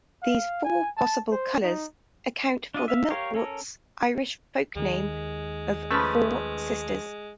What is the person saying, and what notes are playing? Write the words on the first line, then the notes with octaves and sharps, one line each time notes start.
These four possible colours account for the milkworts' Irish folk-name of 'four sisters'.
F5
G#5
A5
C5
D#4
D4 F4 D#5
E5 F5
G4 A#4 C#5 F5
C#4 A4 A#4
D#2 D#3 G#3
F3 A3 C#4 B4